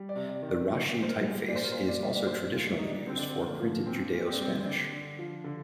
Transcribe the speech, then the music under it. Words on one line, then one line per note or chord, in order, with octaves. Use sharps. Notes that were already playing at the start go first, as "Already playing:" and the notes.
The Rashi typeface is also traditionally used for printed Judaeo-Spanish.
Already playing: G3
D5
C3
D5
D#3
D5
A#2 D#5
A#2
C5
A#4
G3
G#4
A#2 D5
C5
A#4
A#2 C5
D5
G3 D#5
D5
A#2 C5
A#2
D4
G3 D#4
D4
D3 C4
D4
C4
D3
A#3
F3
A#2 C4
A#2
C4
D4
G3 C4
C4
D3 D4
D3
F3
D3